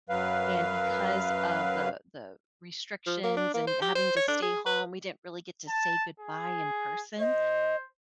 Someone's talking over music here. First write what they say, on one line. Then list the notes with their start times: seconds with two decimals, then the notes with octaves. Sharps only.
and because of the the restrictions and having to stay home, we didn't really get to say goodbye in person,
0.09 F#2 F#3 B4 F5
3.06 F3
3.24 A#3
3.37 D4
3.54 A#3
3.67 C5
3.82 G4
3.95 C5
4.16 C#5
4.28 D4
4.42 G#4
4.66 B4
5.69 A5
6.20 G#4
7.20 C5 D#5